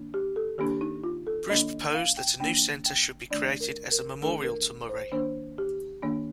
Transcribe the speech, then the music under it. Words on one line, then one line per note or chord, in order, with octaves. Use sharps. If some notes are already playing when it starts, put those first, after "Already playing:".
Bruce proposed that a new centre should be created as a memorial to Murray.
Already playing: D#3 A#3 D4
G4
A4
D#3 A#3 D4 G4
D#4
F4
A4
D#3 A#3 D4 D#5
F5
G5
D#3 A#3 D4 G5
G5
D#3 A3 D4 D5
A#4
A#4
D#3 A3 D4 A4
A#4
C5
D#3 A#3 D4 C5
G4
D#3 A#3 D4